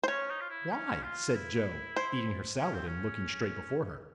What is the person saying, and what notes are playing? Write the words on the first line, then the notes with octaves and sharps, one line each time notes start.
"Why?" said Joe, eating her salad and looking straight before her.
C5
C#4 C#5
D#4
F4
E4
C#4
F4
E4
C5
C#4
C4
C#4